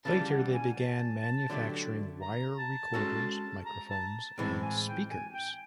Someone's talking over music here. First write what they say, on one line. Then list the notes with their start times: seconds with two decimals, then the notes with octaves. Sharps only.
Later they began manufacturing wire recorders, microphones, and speakers.
0.05 C#3 E3 G3 A5
0.29 F#5
0.53 G#5
0.77 A5
1.50 D3 F#3 A3 D4 G4
2.21 A#5
2.58 A5
2.94 G#3 C#4 F#4 A4 C#5
3.65 A#5
3.89 A5
4.38 A2 E3 G#3 C4 A5
4.62 G#5
4.86 G5
5.10 G#5
5.33 G5